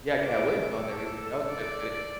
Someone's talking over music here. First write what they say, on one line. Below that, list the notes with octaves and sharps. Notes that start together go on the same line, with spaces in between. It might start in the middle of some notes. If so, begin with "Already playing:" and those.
He had Katt Williams on there recently, that was a good good e
D6
A4
D5